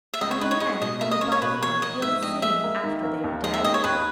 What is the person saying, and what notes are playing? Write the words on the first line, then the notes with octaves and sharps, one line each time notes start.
'And the men and the butterfly feel the same after they are dead?'
E5
C#2 D#5
C#5
D#4 B4
C#5
G#3 D#5
B2 D#5
A#3 E5
D#5
C#4 C#5
C#5
B2 B4
A#3 C#5
A#1 D#5
G#2 E5
A#1 D#5
G#3 E5
A#3
D#3
A#3
D#2
G#3 D#5
E5
D#2 D#5
C#5
D#2 B4